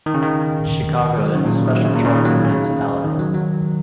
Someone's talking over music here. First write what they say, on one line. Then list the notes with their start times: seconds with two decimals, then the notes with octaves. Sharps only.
Chicago is a special charter municipality.
0.06 D#3
0.14 C#3
0.22 D#3
1.17 G#3
1.25 F#3
1.35 C#3
1.45 A#2
1.55 C#3
1.65 D#3
1.75 F#3
1.85 C#3
1.95 A#2
2.05 C#3
2.15 D#3
2.25 F#3
2.44 C#3
3.04 D#3
3.19 F#3
3.34 F#3